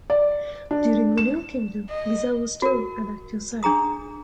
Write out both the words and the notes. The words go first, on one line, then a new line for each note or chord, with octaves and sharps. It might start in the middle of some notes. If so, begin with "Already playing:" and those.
During the New Kingdom, Giza was still an active site.
D5
D4
E7
D#5
F#4 A#4
D4 G#4 A#5 D#6